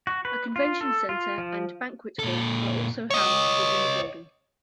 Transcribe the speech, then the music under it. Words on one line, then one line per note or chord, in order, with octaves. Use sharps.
A convention center and banquet hall are also housed within the building.
F#4
B4
F4
A4
F4
F3
A#2 A4
C#5 D#5